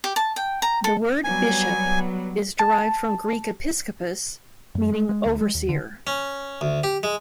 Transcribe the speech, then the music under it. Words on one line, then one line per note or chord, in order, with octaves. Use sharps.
The word "bishop" is derived from Greek "episcopos", meaning "overseer".
G4
A5
G5
A#5
A4
F#3 G3 B3 G#5
A5
F#2
G#3
G#3
D2
G#3
D#2
D3
C#4
D2
G4
G#3